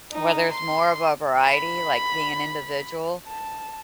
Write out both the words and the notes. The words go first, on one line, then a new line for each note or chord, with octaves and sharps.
where there's more of a variety, like, being individual
D#4
C6
B5
A5